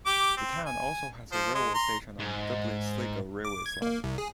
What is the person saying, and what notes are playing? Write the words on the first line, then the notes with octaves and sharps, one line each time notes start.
The town also has a railway station on the Dublin-Sligo railway line.
G4 D6
C4
G#5
F3 C5
G#3
A#5 C6
G#2
D6
G#6
A#3
C2
G#4